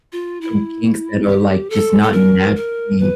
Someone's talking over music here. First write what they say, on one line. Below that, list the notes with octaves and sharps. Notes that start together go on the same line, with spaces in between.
some kinks that are, like, just not naturally,
F4
E4
G4
A4
A4
A#4
A#4
B4